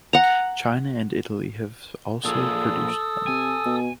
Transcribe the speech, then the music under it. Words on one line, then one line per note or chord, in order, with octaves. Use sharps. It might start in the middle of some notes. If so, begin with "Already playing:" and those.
China and Italy have also produced them.
F#5 A#5
A#2 F3 G#4 A4 D#6 E6
C3 G#5
B2